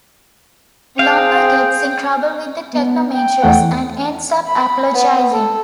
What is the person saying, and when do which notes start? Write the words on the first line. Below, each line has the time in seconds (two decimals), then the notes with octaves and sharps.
Londo gets in trouble with the Technomages and ends up apologizing.
0.99 C4 G#4 F5 G5
2.73 B3
3.14 G5
3.42 E2 A3 F#5
3.59 E3
4.47 B5
4.94 B3
5.32 A4